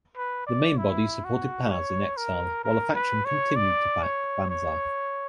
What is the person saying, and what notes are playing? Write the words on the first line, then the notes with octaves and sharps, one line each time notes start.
The main body supported Paz in exile, while a faction continued to back Banzer.
B4
D5
E4
F#4
C#5
A#4
A#4
B4
C#5
D5
C#5
C#5